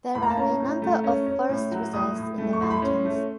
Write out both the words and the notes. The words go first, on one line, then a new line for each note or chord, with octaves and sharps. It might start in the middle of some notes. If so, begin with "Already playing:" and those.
There are a number of forest reserves in the mountains.
A2 B5
A#5
A5
C#4 A#5
A2
A3
C#4
C#4
A2
F#3
A2 D#6
A2
A3
C#6
A2 C6
B5
C#4 C6
A3